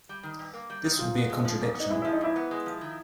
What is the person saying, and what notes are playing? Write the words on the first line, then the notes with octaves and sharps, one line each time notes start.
This would be a contradiction.
G3
D#3
G2
A#3
G3
D#3
G#2 F4
B3
G#3
F3
G#2
B3
D#4
G#3 E4
F3 E4
D#4
G#2 E4
B3
G#3
F3
D#3